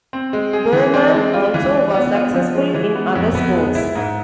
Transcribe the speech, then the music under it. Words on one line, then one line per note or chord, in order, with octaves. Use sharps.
Bouman also was successful in other sports.
C4
G#3
G#4
E3
C4
G#3
F4
E3
D4
B3
F4
F3
G#3
E3
B3
F2
B3
G#3
E4
G#2